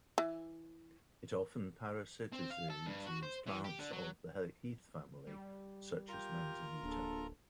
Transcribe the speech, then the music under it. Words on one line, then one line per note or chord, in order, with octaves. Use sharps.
It often parasitizes plants of the heath family, such as manzanita.
E3
C4
F5
A4
G2
F#4
C5
E3
G4
D3
F#3
G3
F4 G4 A#4 A#5
D1 A#1 A4